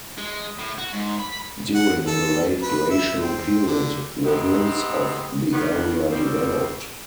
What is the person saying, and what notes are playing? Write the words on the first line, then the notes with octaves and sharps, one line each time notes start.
During the late glacial period, the hills of the area developed.
G#3
A2
F#4
G#2
B5
F#5
A4
B4
E5
C4
D3
B3 C4 D#4 E4 G4 G#4
D#3 B3 D4
C#3 E3 F3 G3 C4